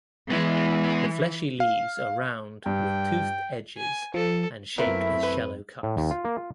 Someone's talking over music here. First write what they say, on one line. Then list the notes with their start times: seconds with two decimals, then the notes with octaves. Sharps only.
The fleshy leaves are round with toothed edges and shaped as shallow cups.
0.31 E3 G#3 B3 E4
1.60 F5
2.66 G2 G5
3.77 G#5
4.14 F3 A4
4.78 F#2 A3 B3 C4 E4 F4 A#4 E5
5.23 B4
5.83 A2
5.97 D#2
6.11 F4
6.25 A#3
6.37 F4